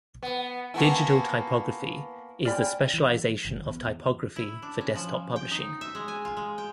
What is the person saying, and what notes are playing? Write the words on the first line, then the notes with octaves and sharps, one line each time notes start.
Digital typography is the specialization of typography for desktop publishing.
B3
A#3 B3 E4 G#5 A5 C#6
D5 G5 G#5 B5 F6
E3
G1
E2
E4
D4
C#4
F3
G5
D#4
E5
G#3
G#5
F4
G#3
G5